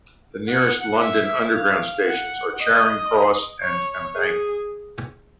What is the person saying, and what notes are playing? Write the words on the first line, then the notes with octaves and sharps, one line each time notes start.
The nearest London Underground stations are Charing Cross and Embankment.
F#5
E5
F5
F#5
D#5
C#5
G#4